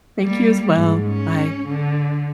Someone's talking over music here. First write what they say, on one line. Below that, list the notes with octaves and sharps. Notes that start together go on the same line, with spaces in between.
Thank you as well, bye.
G3 A#3
G#2
C#4
D3